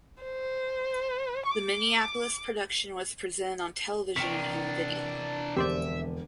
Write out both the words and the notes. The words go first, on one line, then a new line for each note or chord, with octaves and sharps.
The Minneapolis production was presented on television and home video.
C5
D6
C3 E3 D4 A#4 G5 C#6 B6 E7
E1 F2 D3 G4 C5 D5 E5